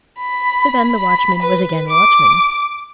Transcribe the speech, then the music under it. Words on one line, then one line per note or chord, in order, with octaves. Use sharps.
So then the watchman was again watchman.
B5
B5
B4
D6